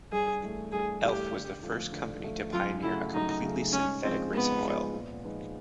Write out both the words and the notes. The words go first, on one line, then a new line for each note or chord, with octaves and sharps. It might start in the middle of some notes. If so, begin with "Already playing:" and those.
Elf was the first company to pioneer a completely synthetic racing oil.
G2 G#4
E3 A3
G2 G#4
E3 A3 G4
D3
F3 A3
D3
F3 A3
F#2 F4
C#3 F#3 A3 E4
F#2 D#4
C#3 F#3 A3
G#2 C#4
F3 G#3 C4
G#2 B3
F3 G#3
A#2
F3 G#3 B3 D#4